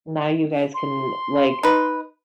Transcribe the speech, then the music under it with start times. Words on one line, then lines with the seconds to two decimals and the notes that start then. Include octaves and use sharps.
Now you guys can, like,
0.74 C6
1.63 D#4 B4